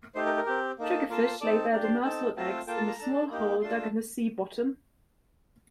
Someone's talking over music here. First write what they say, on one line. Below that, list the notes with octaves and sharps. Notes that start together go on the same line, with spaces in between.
Triggerfish lay their demersal eggs in a small hole dug in the sea bottom.
A3 D#4 G4 C5
A#4
A#4
C4 G4
A#3 D#4 A4
A#3 F4 A4 A#4
C5
C4 D#4 A4 D5
D4 G4 A#4
C5
C4 D#4 A4
A3 C4 F4 A4
A#3 F4 A4 G5
A5
A#5
D4 A4
A#3 D#4 G4
A3 D4 F4 A4 C6